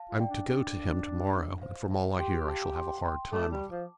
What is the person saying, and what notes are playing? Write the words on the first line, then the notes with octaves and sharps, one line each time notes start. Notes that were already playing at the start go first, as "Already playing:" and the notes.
I am to go to him to-morrow, and from all I hear I shall have a hard time of it.
Already playing: F5 A5
F4
D5 G5
D4
D4
C5 F5
F5 A5
G4 G5 C6
F5 A5
G5 C6
G5 C6
A3 A5 D6
G3
F3